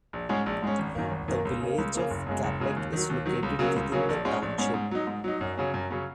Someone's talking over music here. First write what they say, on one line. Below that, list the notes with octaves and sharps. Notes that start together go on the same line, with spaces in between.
The village of Capac is located within the township.
A#1
G#2 G#3 C#4
A#1
G#2 G#3 C#4
G#1
F#2 D#3 A#3
G#1
F#2 D#3 A#3
C#2
C#3 A#3
C#2
C#3 A#3
F#1
F#2 C#3 G#3
F#1
F#2 C#3 G#3
D#2
D#3 F#3
D#2
D#3 F#3
C#2
C#3 F#3 A#3 C#4
C#2
C#3 F#3 A#3 C#4
A#1
G#2 G#3 C#4
A#1
G#2 G#3 C#4
G#2
F#3 D#4
G#2
F#3 D#4
F#2
C#3 F#3 C#4
F#2
C#3 F#3 C#4